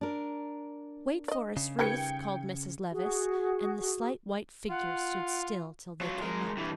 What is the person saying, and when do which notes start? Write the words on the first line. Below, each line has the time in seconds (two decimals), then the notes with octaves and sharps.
"Wait for us, Ruth," called Mrs. Levice, and the slight white figure stood still till they came up.
0.01 D4 A#4
1.28 D5 D#5
1.57 C#3
1.79 D#3 G3 B4 G5 G#6 C#7
2.91 F#4 G#4
4.70 F4 F#5
6.01 F#3 F4
6.22 G#3 A#4
6.57 G2 E3